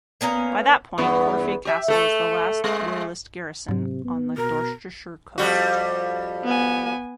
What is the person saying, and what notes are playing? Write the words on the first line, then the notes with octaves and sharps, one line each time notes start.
By that point, Corfe Castle was the last Royalist garrison on the Dorsetshire coast.
A#3 B3 C#4 A#4
E2 G2 B3
G4 E5
A3 A4
G#3 A3 G#4
G#2 C3 F#3
B3
B2 A#4
F2 G3 F#4
B3 G#5